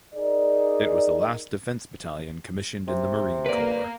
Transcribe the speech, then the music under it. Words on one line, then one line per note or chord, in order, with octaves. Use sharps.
It was the last defense battalion commissioned in the Marine Corps.
D#4 G#4 A#4 D5
C3
A#3 B4 D5